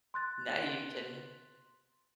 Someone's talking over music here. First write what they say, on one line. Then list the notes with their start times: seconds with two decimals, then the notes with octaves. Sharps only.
Now you can
0.14 C6 F#6 A6